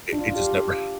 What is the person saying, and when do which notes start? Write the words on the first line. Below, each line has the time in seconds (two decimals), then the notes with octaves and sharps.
It it just never ha
0.13 D4 F4
0.27 D4 F4
0.36 G4